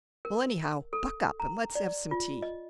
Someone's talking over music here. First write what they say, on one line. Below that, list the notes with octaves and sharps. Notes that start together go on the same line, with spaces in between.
Well, anyhow, buck up, and let's have some tea.
A#4
A4
A#5
D5
F4
D#5